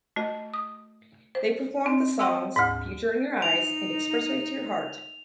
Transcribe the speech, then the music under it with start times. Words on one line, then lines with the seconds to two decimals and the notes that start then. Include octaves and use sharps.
They performed the songs "Future in Your Eyes" and "Expressway to Your Heart".
0.16 A3 F#4 D#5
0.54 D#6
1.35 C5
1.86 C4
2.19 D#5 G5 C6 E6
2.56 D2 G#2
3.42 D#4 F7